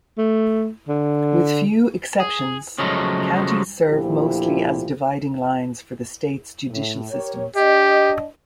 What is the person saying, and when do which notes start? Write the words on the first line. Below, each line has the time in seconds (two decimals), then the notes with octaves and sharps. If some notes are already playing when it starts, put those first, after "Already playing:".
With few exceptions, counties serve mostly as dividing lines for the states' judicial systems.
0.18 A3
0.88 D3
2.20 G#4
2.78 C#3 F3 F#3 G#3 A3 D#4
3.89 D2 A#2 F3 E4 G4
6.69 A2
7.11 G4 A#4 C#5
7.56 D4 G4 D#5